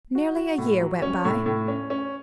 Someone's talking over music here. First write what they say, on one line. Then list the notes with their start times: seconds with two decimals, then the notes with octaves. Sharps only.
Nearly a year went by.
0.15 F#4
0.36 F#4
0.58 A2
0.80 F#3
1.02 C#4
1.25 A2
1.46 A2
1.68 C#4
1.90 C#4